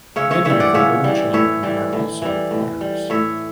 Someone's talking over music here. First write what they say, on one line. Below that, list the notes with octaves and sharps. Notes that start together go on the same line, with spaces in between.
Many of her grown children are also potters.
C#3 C#5 E5
C#5 E5
E3 G3 C#5 E5
D5 F#5
C#3 C#5 E5
E3 G3
A2 C#5 E5
E3 G3
A2
E3 G3
A2
G3
A2 C#5 E5